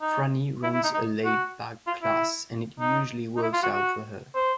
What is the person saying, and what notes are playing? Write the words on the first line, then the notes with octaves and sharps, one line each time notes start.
Franny runs a laid back class and it usually works out for her.
D#4
E4
E4
D#4
D#4
F#4
F4
E4
D#4
D#4
E4
F4
F#4
F#4
C5